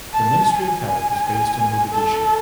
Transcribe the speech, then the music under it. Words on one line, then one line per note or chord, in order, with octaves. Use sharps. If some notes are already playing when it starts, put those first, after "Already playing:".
The Ministry of Health is based in Mogadishu.
A5
G#5
G#5
A4